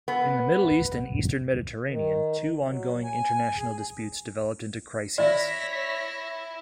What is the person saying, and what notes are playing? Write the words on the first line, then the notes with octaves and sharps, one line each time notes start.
In the Middle East and eastern Mediterranean, two ongoing international disputes developed into crises.
B3
D#3
F#3
G#5
G#4
E4 C#5 D5 E5 A#6 B6